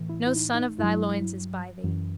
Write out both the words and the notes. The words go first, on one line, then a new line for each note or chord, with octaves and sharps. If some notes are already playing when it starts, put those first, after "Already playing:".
No son of thy loins is by thee.
Already playing: A2 E3
E4
E4
D#4
D#4
G2 F#3 E4
F#2 E3